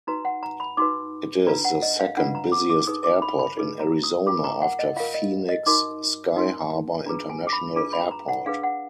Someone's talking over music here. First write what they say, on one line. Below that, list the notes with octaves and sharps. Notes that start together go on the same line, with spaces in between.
It is the second busiest airport in Arizona, after Phoenix Sky Harbor International Airport.
D#4 F#4 B4 A#5
F#5
A#5
B5
D#4 F#4 B4 D6
D4 F4 B4 A#5
F#5
D#5
F5
D4 F4 B4 F#5
A#5
D6
D6
D#4 G#4 B4 D#6
D6
B5
B5
D#4 G#4 B4
A#5
D#6
F4 A#4 D6
A#5
F#5
D#5
F4 A#4 F5
D#5
D#5
D#4 F#4 A#4 D6
D#4 F#4 A#4
D4 F4 G#4 B4 A#5
G#5
D6
B5
D4 F4 G#4 B4 D6
B5
A#5
F#5
D4 G#4 B4 F5
F#5